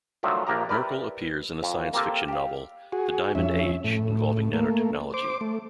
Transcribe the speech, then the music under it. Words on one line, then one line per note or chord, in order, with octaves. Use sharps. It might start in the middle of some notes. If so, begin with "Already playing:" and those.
Merkle appears in the science fiction novel "The Diamond Age", involving nanotechnology.
D#3 F3 F#3 A3 D4
A#1 A#3 D4 G4 A#5
E4 G4 A#4 B4 D5
F2
A#3 C4 G4 A4 G5
G4 F5
F#4 G#4
F2 C#4 E5
A2
A3 A#3
C5 D6
A3